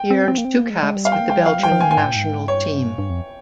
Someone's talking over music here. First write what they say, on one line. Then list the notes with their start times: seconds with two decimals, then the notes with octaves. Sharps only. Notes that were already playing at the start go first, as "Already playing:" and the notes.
He earned two caps with the Belgian national team.
Already playing: G5
0.10 C4
0.28 C4
0.38 A#3
0.45 C4
0.57 A#3
0.70 G#3
0.83 G#3
0.96 G3
1.05 F5
1.12 G5
1.20 A#3
1.29 G#3 G5
1.38 G3
1.46 F3 F5
1.59 G3 G5
1.72 F3
1.81 G#5
1.84 D#3
1.91 G#5
1.97 G#2 G5
2.06 A#2
2.16 G#2
2.47 G2 C#5
2.98 G2
3.10 F2